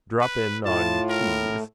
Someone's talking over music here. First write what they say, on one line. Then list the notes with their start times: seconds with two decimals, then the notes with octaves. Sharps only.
Drop in on Keyes.
0.21 B4
0.65 A2 F4 A5
1.10 A#4